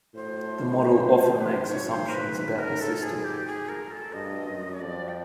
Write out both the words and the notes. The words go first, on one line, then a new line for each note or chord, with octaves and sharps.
The model often makes assumptions about the system.
A2 C5
B4
G#2 C5
C#5
C5
A#4
B4
B4
A#4
A4
G#4
G4
G#4
A#4
A4
G2 D#5
F#2
C#5
F2 D5
G5